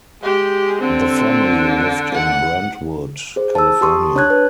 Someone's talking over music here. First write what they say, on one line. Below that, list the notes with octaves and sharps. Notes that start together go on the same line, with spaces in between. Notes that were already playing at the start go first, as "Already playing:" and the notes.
The family lived in Brentwood, California.
G#3 G4
D3 C4
F#5
G#4 C5
A5 E6
G4 A5 C6 C#6 D#6
D4 C#5 A5 F#6 G#6
B4